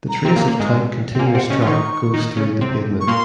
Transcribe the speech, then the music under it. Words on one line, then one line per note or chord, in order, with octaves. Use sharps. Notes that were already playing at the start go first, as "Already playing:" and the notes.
The trace of tank continuous track goes through the pavement.
A#5
C3 C4
A#2 A#3
A#2 A#3
G#2 G#3
C4
A#2 A#3 G#5
F5
C3 C4 F#5
C#3 C#4 D#5
F4
D#3 D#4 C#6
D#3 D#4
C#3 C#4
C3 C4
C#6
A#2 A#3 C6